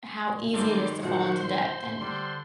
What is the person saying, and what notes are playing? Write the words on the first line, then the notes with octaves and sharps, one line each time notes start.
how easy it is to fall into debt, and
G#1 D#3 B3 C4 C6 D6
A#2 F3 A3 F#4 C5 F#5
C6
D3 G3 C5 D5